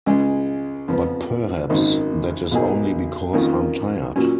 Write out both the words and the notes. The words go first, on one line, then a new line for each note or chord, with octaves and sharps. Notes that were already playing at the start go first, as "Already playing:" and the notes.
But perhaps that is only because I’m tired.
C#2 C#3 G#3
F2 F3 B3
G#1 F#2 D#3 A#3 D#4
B1 B2 A#3 D#4 G#4
F2 D#3 A#3 C#4 F4
A#2 F#3 C#4